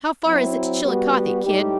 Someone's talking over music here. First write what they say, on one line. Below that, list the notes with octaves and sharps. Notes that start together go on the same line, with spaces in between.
"How far is it to Chillicothe, kid?"
F#3 C4 E4
G3 B3 F#4
A2 G3 D#4 G4